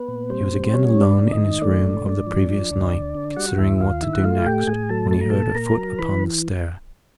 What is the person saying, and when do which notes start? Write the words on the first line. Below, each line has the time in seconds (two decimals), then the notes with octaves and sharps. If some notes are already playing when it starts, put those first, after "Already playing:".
He was again alone in his room of the previous night, considering what to do next, when he heard a foot upon the stair.
Already playing: B3 B4
0.08 A#2
0.30 G3 C4 C5
0.52 G3
0.73 G3 C#4 C#5
0.95 G#2
1.02 D4 D5
1.18 G#2
1.32 D#4 D#5
1.39 D#3
1.62 A3 D4 D5
1.83 G#2
2.06 G#2
2.27 F3
2.49 F3
2.70 D2
2.93 D2
3.15 D3
3.37 G3 F#4 F#5
3.58 D#2 E4 E5
3.80 D#2 F4 F5
4.02 D#3 E4 E5
4.13 F#5
4.24 A3 F4 F5
4.46 A2 G4 G5
4.67 A2 G#4 G#5
4.89 F#3 A4 A5
5.11 A3 A5
5.21 A#5
5.30 A#2 A4 A5
5.55 A#2 A#4 A#5
5.77 F#3
5.99 E3 B4 B5